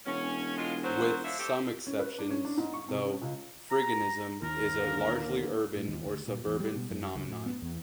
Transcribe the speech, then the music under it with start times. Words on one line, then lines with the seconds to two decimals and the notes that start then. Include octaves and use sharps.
With some exceptions, though, freeganism is a largely urban or suburban phenomenon.
0.06 E1 C#4
0.58 A2 G#3 F4
0.84 F#3 C5
1.24 D3 F3 E5
1.39 A3 C4 G4
1.87 C#4
1.99 B4
2.19 D4
2.30 C#4
2.45 D4
2.58 G#2
2.73 C#6
2.88 C3
3.04 C#4
3.22 C#2
3.71 A#5
4.42 D#2 A#4
4.79 D3 A#3
5.76 A2
5.88 D#2
6.05 D2
6.27 A#2
6.46 E2
6.60 G3
6.76 B2
6.90 F#2
7.15 C#2
7.28 A2
7.46 B3
7.62 E2